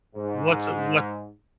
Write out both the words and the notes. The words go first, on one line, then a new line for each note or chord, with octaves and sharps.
What's, uh what
G#2